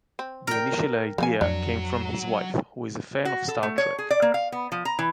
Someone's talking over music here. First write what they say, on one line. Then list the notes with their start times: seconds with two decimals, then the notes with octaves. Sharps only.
The initial idea came from his wife, who is a fan of "Star Trek".
0.19 C4
0.47 A#4 G5
1.18 C#3 F3 A#3 G#5
1.41 F2 F#3 D4
3.25 F#4
3.48 A4
3.63 A3
3.78 C#5
3.99 G#4
4.10 D5
4.22 A#3
4.34 F5
4.52 B3
4.72 F3
4.85 A#5
4.99 E3